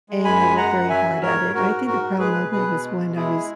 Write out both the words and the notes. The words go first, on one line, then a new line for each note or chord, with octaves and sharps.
and I worked very hard at it. I think the proud moment was when, I was
G#3
F#2 G#5 B5
G#3
F#2 F#5 A#5
F#2
F#3 E5 G#5
F#3
G#2 A#4 C#5
G#2
G#2 F#4 A#4
G#2
G#2 F#4 A#4
G#2
G#3 G#4 B4
B2
B2 G#4 B4
B2
G#3
B2
G#3 E4 G#4
G#3